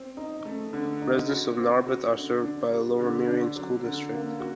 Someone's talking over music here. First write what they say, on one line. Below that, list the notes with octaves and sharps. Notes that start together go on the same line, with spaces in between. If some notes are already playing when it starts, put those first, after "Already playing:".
Residents of Narberth are served by the Lower Merion School District.
Already playing: C4
D#4
A3
D3
D#4
F#4
C4
F#4
D3
D4
G3
D3
D4
F#3
D3
A#3
F#4